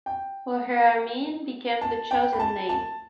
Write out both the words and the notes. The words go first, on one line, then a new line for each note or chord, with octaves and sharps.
'Bohermeen' became the chosen name.
G5
A5
G5
B5
A5
A5